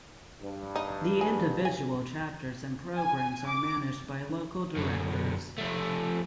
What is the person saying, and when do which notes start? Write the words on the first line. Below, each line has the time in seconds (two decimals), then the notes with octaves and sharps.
Individual chapters and programs are managed by local directors.
0.42 G2
0.76 D#4
1.21 G#4
1.65 G#5
2.97 G#5
3.47 D6
4.76 F#2 D3
5.58 F3 A3